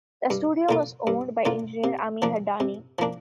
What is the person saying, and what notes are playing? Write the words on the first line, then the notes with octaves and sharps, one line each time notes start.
The studio was owned by engineer Ami Hadani.
G2
D3 A#3 F4
G2
D3 A#3 F4
C3
F3 A#3 D4
C3
F3 A#3 D4